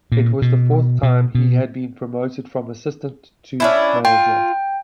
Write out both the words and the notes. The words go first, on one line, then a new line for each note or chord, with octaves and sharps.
It was the fourth time he had been promoted from assistant to manager.
A#2
B2
B2
B2
C#4 D4 E4
F4 G5